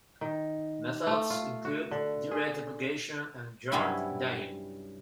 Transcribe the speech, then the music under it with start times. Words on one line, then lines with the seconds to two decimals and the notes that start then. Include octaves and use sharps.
Methods include direct application and yarn dyeing.
0.21 D#3
1.07 A3
1.30 F4
1.65 F#4
1.91 D3
2.31 G#4
3.72 G2 C3 F#3 G3 C#4 E4